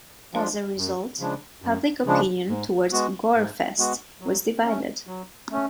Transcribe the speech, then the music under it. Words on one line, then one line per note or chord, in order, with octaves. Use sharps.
As a result, public opinion towards Gorefest was divided.
F3 G#3 D4 F4
F#2
C#3 F3 G#3 D4
F#2
C#3 F3 G#3 D4
G#2
G#3 B3 F#4
G#2
G#3 B3 F#4
F#3
A3 C#4
F#3
A3 C#4